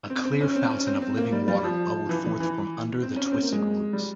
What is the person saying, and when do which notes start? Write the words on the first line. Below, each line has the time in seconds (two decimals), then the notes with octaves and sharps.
A clear fountain of living water bubbled forth from under the twisted roots.
0.10 C4
0.25 C4
0.41 C#4
0.56 C4
0.70 C#4
0.87 C4
1.02 C4
1.17 A#3
1.32 G3
1.48 G3
1.64 F3
2.09 E3
2.24 E3
2.40 E3
3.02 C4
3.16 C#4
3.32 C4
3.42 A#3
3.52 G#3
3.93 G3